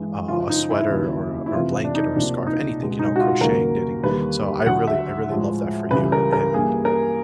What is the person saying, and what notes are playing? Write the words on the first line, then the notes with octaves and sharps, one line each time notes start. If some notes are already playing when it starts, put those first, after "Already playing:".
uh, a sweater or a or a blanket or a scarf, anything, you know, crocheting, knitting. So, I really I really love that for you and,
Already playing: G2 E3 G#3
F#2 C#3 F3 F4
D#4
E4
D#2 C#3 F#3 A#3 E4
E4
F2 C3 E3 A3 F4
D4
D#4
D2 C3 F3 A#3 D4
D#4
C#2 B2 G#3
D#4
F#4
F4
D#2 C#3 F#3 A#3 A#4
D#2 D3 G3 A#3 B4
D2 D3 F#3 F#5
E5
A2 F3 G#3
C#2 C#3 E3 G3 B4
A#4
A#4
G2 E3 G3 A#3 G#4
A#4